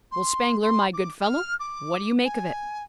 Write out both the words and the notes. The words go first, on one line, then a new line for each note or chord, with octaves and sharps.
"Well, Spangler, my good fellow; what do you make of it?"
C6
C6
D6
F6
D6
G#5